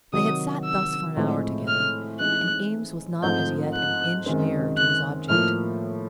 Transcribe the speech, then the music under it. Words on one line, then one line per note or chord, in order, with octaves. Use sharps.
They had sat thus for an hour together, and Eames was not as yet an inch nearer to his object.
C3 D#3 F#3 D#6
E6
A2 F3 G#3 C4
F6
E3 G#3 C4 D#4 F#6
G#2 F3 A3 C4 G6
F#6
F#2 D#3 G#3 C4
F#6
A2 F3 A#3 F6